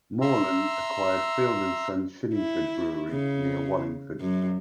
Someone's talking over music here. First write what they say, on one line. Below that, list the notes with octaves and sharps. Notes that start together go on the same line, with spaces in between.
Morland acquired Field and son Shillingford brewery near Wallingford.
E5 A#5 C6 E6
E4
C#3
F#2